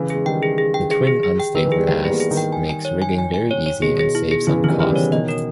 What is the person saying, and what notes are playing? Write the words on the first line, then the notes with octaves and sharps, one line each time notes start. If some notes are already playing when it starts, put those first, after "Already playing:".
The twin unstayed masts makes rigging very easy and saves on cost.
Already playing: C#3 E3
G#4
G#3
D#3 G3 G5
G#4
G#4
G5
G#4
G#4
G#4
G5
D#3 B4
E3
G#4
G3
E3 G#3 G5
G3 A#3 B3 G#4
G#4
D#3 G3
G5
G#5
G#5
C#5
G#5
G#5
G#5
C#5
C#5
B2 D#3 G#4
G#4
E4
G#4
C#3 E3 E4
D#3 E3 G3 E4
G3 E4
C#3 E3
C#5
B2 D#3 D#5
A#4